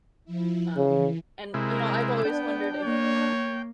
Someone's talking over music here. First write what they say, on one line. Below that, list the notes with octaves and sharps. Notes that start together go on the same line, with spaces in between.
um, and you know, I've always wondered if
F3 E4
C#3 E3
C3 G#3 E4 A#4
B3 D4 G5
A#3 C#5